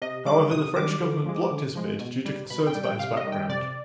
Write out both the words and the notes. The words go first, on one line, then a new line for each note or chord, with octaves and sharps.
However, the French government blocked his bid due to concerns about his background.
C3 D#5
D#3 G3 D6
C3 D#6
D#3 G3 D6
D3
F3 G#3
D3
F3 G#3
B2
G3
B2 B5
G5
G3
G5
C3 F5
D#5
D#3 G3
G5
C3 D5